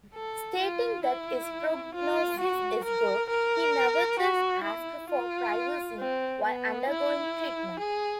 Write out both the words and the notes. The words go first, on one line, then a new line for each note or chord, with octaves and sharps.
Stating that his prognosis is good, he nevertheless asked for privacy while undergoing treatment.
A4
F4
E4
F4
F#4
A#4
A#4
F#4
E4
F4
C4
B3
E4
G#4